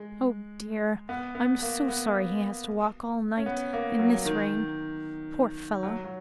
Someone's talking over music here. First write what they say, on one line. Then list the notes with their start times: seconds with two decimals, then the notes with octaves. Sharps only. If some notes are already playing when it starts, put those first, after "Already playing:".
Oh, dear, I'm so sorry he has to walk all night In this rain. Poor fellow!
Already playing: G#3
1.09 B3
1.35 B3
1.62 A#3
1.88 B3
3.37 C#4
3.46 B3
3.73 A#3
3.99 F#3
4.25 D#3
5.83 F#3
6.04 F#3